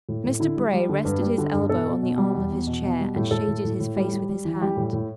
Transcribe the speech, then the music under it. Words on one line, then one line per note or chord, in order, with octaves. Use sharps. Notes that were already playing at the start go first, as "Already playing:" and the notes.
Mr Bray rested his elbow on the arm of his chair, and shaded his face with his hand.
A2
A2
D3 E4
G3
G3
D3
G2 B4
G3
D3
G2
B2 A4
B2
B2
G3
E2
E2
B2
B2
G3
A2
A2 A4
A2
A2
A2
G3
G3
G3
E3
G3 G4
A2
A2